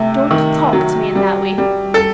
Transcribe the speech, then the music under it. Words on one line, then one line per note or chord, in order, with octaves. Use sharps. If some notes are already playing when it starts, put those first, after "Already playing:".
Don't talk to me in that way.
Already playing: C3 A3
D#3
F#3
G3
G3
A4